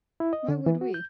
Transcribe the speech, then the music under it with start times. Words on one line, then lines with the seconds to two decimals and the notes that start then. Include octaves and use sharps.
Why would we?
0.20 E4
0.33 D#5
0.48 D3
0.66 E3
0.81 F#4
0.94 G6